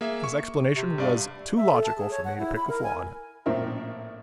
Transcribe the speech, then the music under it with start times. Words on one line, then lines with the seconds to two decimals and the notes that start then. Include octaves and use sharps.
His explanation was too logical for me to pick a flaw in it.
0.01 A#3 G#4 E5
0.24 C#6
0.75 C3
0.98 G2 D5 F5
1.57 E5
1.71 A4
1.84 A5
1.97 G#4
2.11 C#5
2.25 F#5
2.38 E4
2.56 B5
2.69 A#4
2.84 G#5
3.46 A#1 A2 C4 A#4 E5